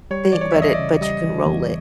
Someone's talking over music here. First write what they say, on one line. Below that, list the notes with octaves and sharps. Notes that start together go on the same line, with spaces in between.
thing, but it but you can roll it.
G3 C#5
E3 D5
C#5
E2 E5
D#5
D5
C#3
G3 D#5
E3
E2